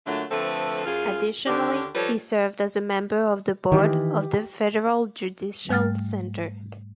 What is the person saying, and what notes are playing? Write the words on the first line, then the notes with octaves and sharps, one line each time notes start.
Additionally he served as a member of the Board of the Federal Judicial Center.
A#2 D3 F#3 A3
D3 F3 A3 C4 A4 B4
F#2 F4 G#4
D#2 D3 C#4 D4 G4
F3 G3 A4 B4 C#5
D#3 E3 G4
G#2 G3 A3 F6 A6